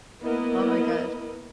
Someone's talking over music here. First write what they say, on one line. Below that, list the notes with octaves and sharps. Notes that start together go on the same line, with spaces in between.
oh my gosh.
A#3 B3 E4 A#4 B4 D#5